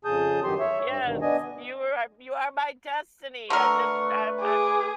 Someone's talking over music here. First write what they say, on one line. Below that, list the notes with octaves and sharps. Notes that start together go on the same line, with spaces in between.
Yes, you are you are my destiny. I just, I'm I'm
F2 C#3 G#4 A5 D#6 G6
G2 D#3 F#3 G4 C6
C#5 E5
G2
D2 G2 B2 D#3
B3 D4 D#5 G#5
D3 A3 A#4 B4 C#6
G#4 D6